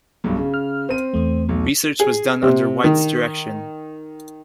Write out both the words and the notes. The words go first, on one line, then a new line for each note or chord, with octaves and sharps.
Research was done under White's direction.
B1 G2
C#3
F6
C4 D#7
E2 A3
B1
G#4
C3
D#3